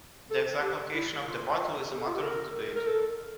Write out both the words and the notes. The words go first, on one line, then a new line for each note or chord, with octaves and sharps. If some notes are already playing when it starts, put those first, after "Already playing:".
The exact location of the battle is a matter of debate.
A4
G4
E4
F4
G4
A4
F4
G4
A#4
A#4
A4